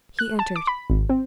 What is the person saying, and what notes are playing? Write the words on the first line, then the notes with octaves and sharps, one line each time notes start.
He entered.
F#6
A5
D6
B5
G#1
C4